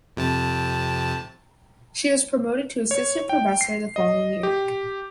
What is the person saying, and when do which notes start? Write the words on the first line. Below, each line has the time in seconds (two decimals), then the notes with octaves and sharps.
She was promoted to assistant professor the following year.
0.17 F2 C3 A5
2.91 C#5
3.29 G5
3.61 C7
3.96 D#5
4.43 G4